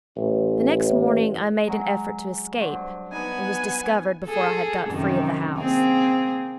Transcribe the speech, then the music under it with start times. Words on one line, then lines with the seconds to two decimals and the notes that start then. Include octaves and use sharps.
The next morning I made an effort to escape, and was discovered before I had got free of the house.
0.17 A1
1.67 F#3 G#3 A#5
2.60 G2 F#3 C5
3.12 B3 D#4 G#5
4.25 G#4 A4
4.89 F#2 C3 D#3
5.58 A#3 C4 G#4